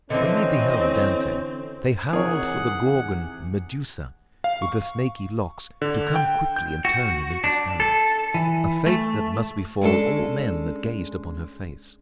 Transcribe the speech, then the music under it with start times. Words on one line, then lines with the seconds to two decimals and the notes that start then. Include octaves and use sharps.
When they beheld Dante they howled for the Gorgon, Medusa, with the snaky locks to come quickly and turn him into stone--a fate that must befall all men that gazed upon her face.
0.10 D3 E3 C4 C#4 D#5
2.13 E2 C3 D#3 G#4 A#4 C#5 F#5
4.44 F5
4.62 C#6
5.82 D3
6.16 G5
6.56 G6
6.85 F#4
7.44 D4
7.80 A4
8.34 E3
8.86 A3
9.81 G#3 C#4 D4 A4